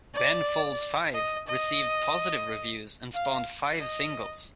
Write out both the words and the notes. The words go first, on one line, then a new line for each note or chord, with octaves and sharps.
"Ben Folds Five" received positive reviews, and spawned five singles.
D5
D#5
D#5
F5
D#5